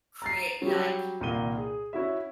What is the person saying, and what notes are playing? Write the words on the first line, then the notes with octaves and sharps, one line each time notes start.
create you know, like,
A#5 A6 C7
F#3 G3 C#4 G4
C2 A#2 D#3 A#3 D#7 G7
G#4
C#4 E4 F#4 E5